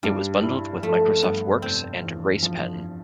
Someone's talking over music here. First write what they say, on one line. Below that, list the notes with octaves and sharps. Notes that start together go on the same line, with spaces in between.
It was bundled with Microsoft Works and RacePen.
G2 G3
E4
F3 A3
G2 B3
F1 C4
E2
F3